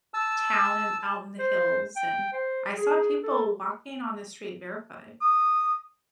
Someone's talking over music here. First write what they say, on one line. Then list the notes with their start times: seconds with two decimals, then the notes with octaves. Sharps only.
town and out in the hills and I saw people walking on the street barefoot.
0.14 A5 E6
1.00 A5
1.39 C5
1.96 G5
2.33 C5
2.77 G#4
3.23 A4
5.21 D#6